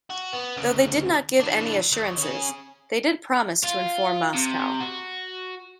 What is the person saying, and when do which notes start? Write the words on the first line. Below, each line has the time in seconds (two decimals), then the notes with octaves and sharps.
Though they did not give any assurances, they did promise to inform Moscow.
0.10 F#4
0.33 B3
0.57 D2 C#3
1.40 E3 D4
1.92 D#2
2.17 C#4 G#4
3.64 F4
4.34 C3
4.81 F#4